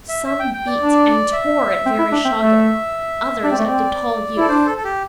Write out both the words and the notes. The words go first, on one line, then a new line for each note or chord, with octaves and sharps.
Some beat and tore at Vereshchagin, others at the tall youth.
E5
E5
G5
G5
D5
D4
E5
C4
E4
D4
C4
A3
D4 D5
C4
A3
C4
E4 A4
D4 C5
A4
A4
G4